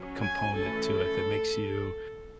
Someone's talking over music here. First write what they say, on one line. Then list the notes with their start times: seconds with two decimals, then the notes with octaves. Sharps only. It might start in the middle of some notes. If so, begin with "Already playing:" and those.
component to it that makes you
Already playing: F#3 C#4
0.23 G#5
0.56 E3 A3 C#4 A4